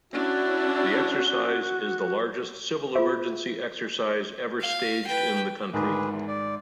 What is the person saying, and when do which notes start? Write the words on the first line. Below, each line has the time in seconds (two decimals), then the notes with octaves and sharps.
The exercise is the largest civil emergency exercise ever staged in the country.
0.13 C#4 D4 E4 F#4
2.95 F4 G#4 C5 E5
4.61 F5
5.07 B4 G5
5.73 D2 G#2 D#3 G#4 B4
6.11 E2 E3
6.28 D5